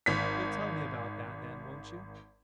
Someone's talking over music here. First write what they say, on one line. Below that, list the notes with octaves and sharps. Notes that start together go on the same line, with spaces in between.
"You'll tell me about that, then--won't you?"
G#1 B6